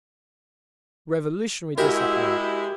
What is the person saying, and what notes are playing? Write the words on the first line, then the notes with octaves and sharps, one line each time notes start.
Revolutionary discipline!
G#3 E4 F#4 G4 A#4 E5